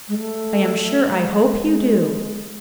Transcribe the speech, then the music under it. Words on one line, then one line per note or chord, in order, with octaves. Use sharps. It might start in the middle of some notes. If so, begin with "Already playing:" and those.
I am sure I hope you do.
G#3
A3
G#3
G#3